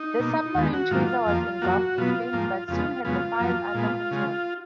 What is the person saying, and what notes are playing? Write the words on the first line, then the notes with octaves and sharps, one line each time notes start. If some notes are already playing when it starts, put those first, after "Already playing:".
The submarine chaser was engulfed in flames, but soon had the fires under control.
Already playing: D#4
B2 A#3
D#2 D#3 G#3 B3
F#4
G#2 D#3 F#3 A#3 F4
F2 F3 A#3
F#2 F3 A#3 F#4
B2 F#3 B3 F4
G#2 F3 A#3
F2 C#3 G#3 B3 F4
F#2 C#3 G#3 B3 F4
F#2 F3 A#3
A#2 G#3 B3
C#3 G#3